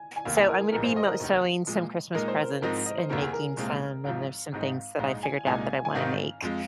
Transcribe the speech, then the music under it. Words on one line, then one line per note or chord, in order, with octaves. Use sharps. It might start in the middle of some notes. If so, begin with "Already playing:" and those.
So, I'm gonna be mo sewing some Christmas presents and making some, and there's some things that I figured out that I wanna make,
Already playing: G#5
G#5
F1 D#2 D#3 A#3 F5
G#5
A#4
G#4
A#1 G#2 F3 A#3 D#4 A#4
C5
D#5
A#4
F1 D#2 D#3
A#2 F3 G#3
A#2 G#3 D#4 A#4
C5
A#4
G#2 F3 G#3 C4 D#4 A#4
D#5
C5
F1 D#2 D#3 A#3 A#4
G#4
A#4
C2 A#2 G#3 C4 F4
G#1 G#2 F3 F5
G#1 G#2 G#3 C4 D#4
A#1 G#2 G#3 D#4 F5
G#5
C2 A#2 G#3 D#4 G#5
G#5
G#1 G#2 D#3 C4 D#4 F5
F2 F3 G#3